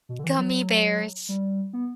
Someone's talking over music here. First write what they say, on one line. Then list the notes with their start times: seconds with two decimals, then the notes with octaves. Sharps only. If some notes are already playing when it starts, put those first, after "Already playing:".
Gummy bears,
0.09 B2
0.19 D3
0.24 E3
0.39 F#3
1.29 G3
1.73 B3